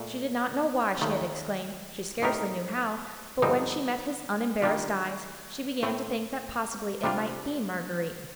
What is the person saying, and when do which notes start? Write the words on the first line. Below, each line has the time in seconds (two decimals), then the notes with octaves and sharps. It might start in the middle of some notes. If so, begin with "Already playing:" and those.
She did not know why she had exclaimed--she scarcely knew how; but when she met his unembarrassed eyes, she began to think that possibly it might be Marguerite.
Already playing: A#2 A3
1.01 D#2 D#3 A3
2.22 A2 A3 D#4 G4 A#4
3.42 G2 D3 F3 C4 D#4
4.62 D#3 G3 D4 F4
5.83 A2 A3 C4
7.03 C3 G3 D4 F4